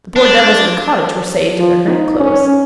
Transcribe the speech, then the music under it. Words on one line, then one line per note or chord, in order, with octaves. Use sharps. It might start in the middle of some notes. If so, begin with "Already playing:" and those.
The poor devils in the cottage were saved in their night clothes.
D4
F3
D#4
C#4